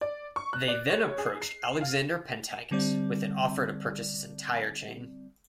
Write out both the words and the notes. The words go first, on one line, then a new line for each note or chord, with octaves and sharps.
They then approached Alexander Pantages with an offer to purchase his entire chain.
D5
C#6
F#6
D5
C#5
G#4
C7
F5
D3 G3 C4 D5